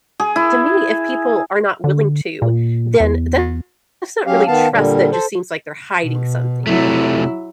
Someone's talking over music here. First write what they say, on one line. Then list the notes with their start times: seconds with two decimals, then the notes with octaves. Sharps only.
to me, if people are not willing to, then that's not really trust, that just seems like they're hiding something,
0.20 G#4
0.36 E4
1.84 D3
2.42 A#2
3.00 E2
4.26 F#3 C#4 G4 F5
4.47 D#3 B3 F5 A5
4.72 A#2 D3 G3
5.12 A4 C5
6.03 B2
6.67 C3 F#3 A3 E4